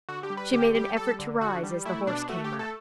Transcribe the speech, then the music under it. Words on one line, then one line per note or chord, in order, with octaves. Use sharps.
She made an effort to rise as the horse came up.
D3 F#4
G4
G3
B4
D3 G4
G3 G4
G3 A4
D3
D3 F#4
G3
A3 E4
B2 D4
A3 F#4
G4
A3
A4